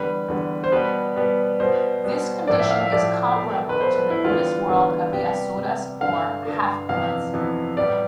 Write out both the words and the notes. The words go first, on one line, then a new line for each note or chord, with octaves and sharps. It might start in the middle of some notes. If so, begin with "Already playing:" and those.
This condition is comparable to the Buddhist world of the Asuras or 'half-gods'.
Already playing: E2 D3 G3 B4
E2 D3 G3
C5
B2 G3 B3 B4
B2 G3 B3
B2 G3 B3 C5
B2 G3 B3
A2 F3 A3 D5
E5
F5
E5
A2 F3 A3 D5
B2 A3
B4
B2 A3 C5
B4
E4
E2 D3 G3 B3 F4
E2 D3 G3 B3
C3 G3 B3 G4
C3 G3 B3
G2 D3 A3 F5
G2 D3 A3
F2 C3 E3 B3 F5
F2 C3 E3 B3
A2 G3 B3 D5